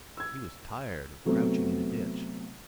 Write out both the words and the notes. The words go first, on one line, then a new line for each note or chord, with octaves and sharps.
He was tired of crouching in a ditch.
E6 G#6
C3 F#3 A3 B3 C4